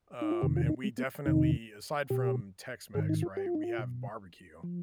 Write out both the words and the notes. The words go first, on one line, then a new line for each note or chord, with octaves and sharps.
Um, and we definitely aside from Tex Mex, right, we have barbecue.
D#4
F4
F2 C3 D#3 G4
F4
D#4
G#3
B3
F2 C3 D#3 D#4
B2 G4
G#2 D#3 G#4
D#4
F4
G4
F4
D#4
F4
B2
F3